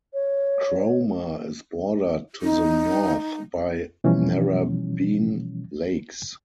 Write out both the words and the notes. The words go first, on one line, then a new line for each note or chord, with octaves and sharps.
Cromer is bordered to the north by Narrabeen Lakes.
C#5
D#4
B2 E3 F3 G3 C#4